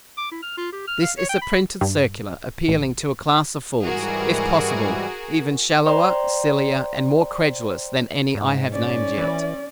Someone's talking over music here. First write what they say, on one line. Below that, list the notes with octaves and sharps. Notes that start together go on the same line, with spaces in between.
This is a printed circular appealing to a class of fools, if possible, even shallower, sillier, and more credulous than any I have named yet.
D6
E4
F6
F4
G4
F6
F5
C#5
G5
B5
G2
A1
G#2 E3 G3 F#4 G#4 A#4
C5 D5 G5 A#5 C6
G#2
C#4 D5
E3